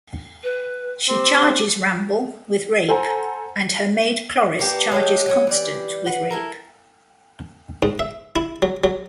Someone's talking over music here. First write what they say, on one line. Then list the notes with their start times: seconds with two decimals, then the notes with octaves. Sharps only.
She charges Ramble with rape, and her maid Cloris charges Constant with rape.
0.43 B4
1.09 C4 G4
2.89 A4 C5 F#5 G#5 A#5
4.59 A#3 B3 D4 G4
4.92 F#3 G#3 A3 G4
5.26 F#3 G#3 C#4
5.47 E3 G3 D5
6.06 B4 F#5
6.30 E4 A4 A#4
7.83 G#2
7.99 E5
8.36 E4
8.62 F#3
8.84 F#3